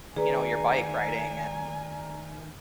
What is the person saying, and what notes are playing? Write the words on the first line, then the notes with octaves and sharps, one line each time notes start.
you know, your bike riding and
D#3 A3 G#4 B4 D5 G#5 A#5